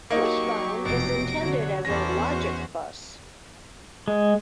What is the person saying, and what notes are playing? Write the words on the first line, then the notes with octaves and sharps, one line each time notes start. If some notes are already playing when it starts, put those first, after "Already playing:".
Wishbone is intended as a "logic bus".
F#3 A#3 D#4 G4 C#6
F1 B2 A#6 D7
D3 F#3 F#4 C#5
E2 B3 C#4 A4 C5 D5 A#6
F#4
G#3